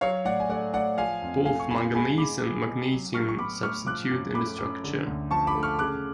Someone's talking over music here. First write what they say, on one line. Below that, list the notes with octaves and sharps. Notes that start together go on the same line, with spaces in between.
Both manganese and magnesium substitute in the structure.
F#3 C#5 F5
A2 D5 F#5
G#5
A3 D5 F#5
A2 D5 F#5
F3 F5 G#5
F2
A3 F5 G#5
C#6
F2 G#5 B5
G#3 G#5 B5
B2 B5 D6
B3
B2
F#3
A2 C#6 F6
C#6
B3 B5 D6
A2 C#6 F6
F3 D6 F#6
F#2
A3 B5 D6
F#2
D3
D2
F3 A5 C#6
B5 D6
A3
C#6 F6
C#3 D6 F#6